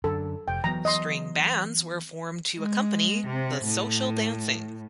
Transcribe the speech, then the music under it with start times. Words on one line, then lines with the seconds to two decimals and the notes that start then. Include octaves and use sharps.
String bands were formed to accompany the social dancing.
0.04 F#2 D3 A4
0.48 F1 G5
0.64 E3 F#3 B3 A#5
0.85 D#5 C6
2.56 G#3
3.26 C3
3.66 A2